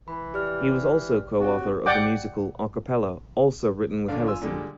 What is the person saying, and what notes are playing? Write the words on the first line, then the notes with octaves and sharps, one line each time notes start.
He was also co-author of the musical "A Cappella," also written with Hellesen.
E3 B5
G4 D5 F6
C4 F#4 G4 C#5
D5 F#5 G5 D6
A1 D3 D4 D5 F5
F4 G#5 C6 E6
A#2 D3 G3 G#3